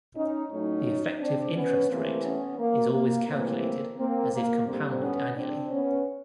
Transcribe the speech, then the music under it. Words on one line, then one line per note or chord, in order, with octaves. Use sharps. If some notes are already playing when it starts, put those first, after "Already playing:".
The effective interest rate is always calculated as if compounded annually.
C#4 D#4
A2 F#3 A3 C#4 D#4
C4 D4
B3 C#4
C3 E3 A3 A#3 C4
B3 C#4
A#3
A#3
A2 E3 G3 A#3 C4
A#3 C4
A#3
D3 G3 A#3 C4
B3 C#4
C4 D4
B3 C#4